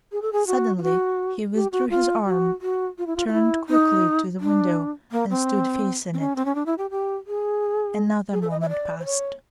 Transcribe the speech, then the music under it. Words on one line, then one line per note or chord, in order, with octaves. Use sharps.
Suddenly he withdrew his arm, turned quickly to the window and stood facing it. Another moment passed.
G#4
A4
G#4
F#4
F4
F#4
G4
F#4
F4
F#4
F#4
F4
E4
F4
F4
E4
D#4
D4
A#3
C4
C4
C#4
C4
C#4
D4
E4
G4
G4
G#4
G#4
A4
D#5
E5
D5
C5
C#5